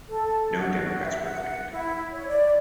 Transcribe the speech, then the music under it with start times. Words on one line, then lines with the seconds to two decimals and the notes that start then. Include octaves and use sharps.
No democrats were appointed.
0.09 A4
0.51 F#4
1.04 E5
1.23 F#5
1.70 E4
2.13 C#5
2.27 D5